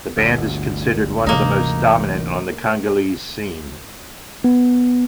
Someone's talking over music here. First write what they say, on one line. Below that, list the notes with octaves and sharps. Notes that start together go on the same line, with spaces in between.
The band is considered one of the most dominant on the Congolese scene.
G1 D2
C3 E3 A#3 D#4
B3